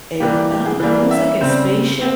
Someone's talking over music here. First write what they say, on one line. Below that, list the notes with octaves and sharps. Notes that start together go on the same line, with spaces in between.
a um, it was like a spaceship
E3 G3 A#3 G4
G4
G#4
E3 G3 A#3
E5
C#3 G3 C4 C5
C4